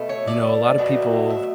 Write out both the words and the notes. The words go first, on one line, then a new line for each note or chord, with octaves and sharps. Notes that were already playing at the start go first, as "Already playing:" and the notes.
you know, a lot of people,
Already playing: B2 A3
C#5
D5
B2 F#3 A3
E5